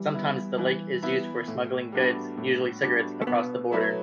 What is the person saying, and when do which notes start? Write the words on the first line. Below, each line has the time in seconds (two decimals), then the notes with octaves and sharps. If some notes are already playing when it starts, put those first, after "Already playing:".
Sometimes the lake is used for smuggling goods, usually cigarettes, across the border.
Already playing: E3 G3
0.13 B3 E4
0.58 E3
1.03 B3 E4
1.47 A2
1.92 G3 B3 D4 F#4
2.37 A2
2.82 G3 B3 D4 F#4
3.22 A3
3.27 B2 B3
3.71 F#3 A3 E4 B4